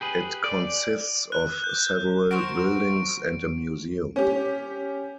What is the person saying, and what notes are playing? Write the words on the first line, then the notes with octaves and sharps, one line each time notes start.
It consists of several buildings and a museum.
G4 G#4 B4
D5
F#6
F#6 G6
F#4 A#4 C5 C#6 D7
C#4 G4